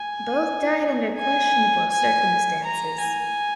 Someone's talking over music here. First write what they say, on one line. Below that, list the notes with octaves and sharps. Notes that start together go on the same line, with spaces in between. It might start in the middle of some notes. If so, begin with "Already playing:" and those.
Both died under questionable circumstances.
Already playing: G#5
G#5
G#5
A#5
G#5